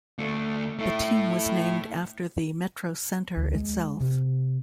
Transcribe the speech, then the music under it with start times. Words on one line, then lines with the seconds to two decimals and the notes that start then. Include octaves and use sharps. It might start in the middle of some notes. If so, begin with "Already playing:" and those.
The team was named after the MetroCentre itself.
0.18 D2 A3
0.79 A3 E4
3.37 D2
3.55 G#3
4.00 C3